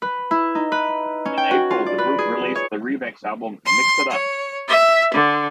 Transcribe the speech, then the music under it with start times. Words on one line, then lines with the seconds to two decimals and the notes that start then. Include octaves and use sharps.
In April, the group released the remix album "Mix It Up".
0.02 B4
0.31 E4
0.55 D#4
0.72 B4
1.25 C#4
1.37 G5
1.51 F#4
1.70 F4
1.86 D5
1.98 B4
2.18 G#4
2.55 C#5
3.65 C6
4.11 C#5
4.68 E5
5.13 D3